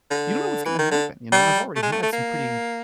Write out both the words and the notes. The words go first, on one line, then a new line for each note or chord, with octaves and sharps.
you don't know what's gonna happen, you know?" I've already had some pretty
D3
E3
D#3
D3
G3
A3
G#3
A3
A3
A#3